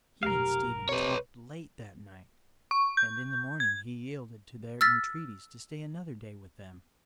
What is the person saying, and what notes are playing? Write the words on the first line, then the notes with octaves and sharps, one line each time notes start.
He and Stephen talked late that night, and in the morning he yielded to their entreaties to stay another day with them.
F1 B1 G4 A#4 F5
C3 B4 C#5
C#6
G6
G#6
E6 F6 A6 B6